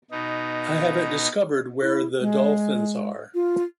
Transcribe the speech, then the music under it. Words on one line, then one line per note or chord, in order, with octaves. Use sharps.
I haven't discovered where the dolphins are.
B2 D#4
E4
G#3
F4